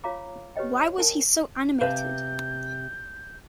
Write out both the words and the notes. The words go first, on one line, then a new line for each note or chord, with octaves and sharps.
Why was he so animated?
F4 C#5 F5 A#5 D6
G4 B4 C#5 D#5 G5
C#4 A#4 G#5 A5
C3 B4 F5 A5 G6